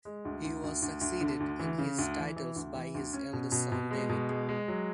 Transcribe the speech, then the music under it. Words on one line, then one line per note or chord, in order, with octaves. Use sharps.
He was succeeded in his titles by his eldest son David.
G#3
D2
D2
D2
D2
D2
D3
D2
E3
C#3
D2
E3
E3
D2
E3
D2
C#4
B2
B2
B2
G#3
B2
G#3
G#3
F#3